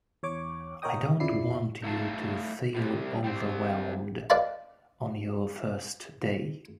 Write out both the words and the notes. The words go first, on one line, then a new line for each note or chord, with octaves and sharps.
I don't want you to feel overwhelmed on your first day.
E2 C#5 D6
A#2 A#4 C#5 D#5 G5 D#6
F2 C#3 F3 E4 D5 C7
A3 D#4 E4 F5 A5
A2 C3 G3
G3 C4
B4 D5 D#5 F5 A5 B5